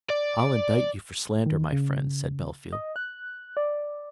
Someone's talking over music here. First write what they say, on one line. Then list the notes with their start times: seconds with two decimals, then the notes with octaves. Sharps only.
"I'll indict you for slander, my friend," said Bellfield.
0.10 D5
1.46 D#3
1.72 C#3
2.72 D#5
2.96 F#6
3.57 D5